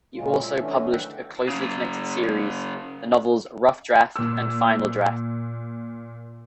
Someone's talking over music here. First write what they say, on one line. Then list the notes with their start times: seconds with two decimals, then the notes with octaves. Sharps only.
He also published a closely connected series, the novels "Rough Draft" and "Final Draft".
0.15 A#2 C#3 F#3 G#3 F4
0.42 E5
0.57 D3 E3 A3 C#4 D4
0.92 D3 D#3 F#3 E5 F#5 G5
1.49 C#3 F#3
4.16 A#2 E6